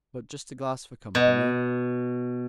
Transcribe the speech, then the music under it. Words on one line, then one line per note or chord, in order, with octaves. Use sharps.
"But just a glass for company."
B2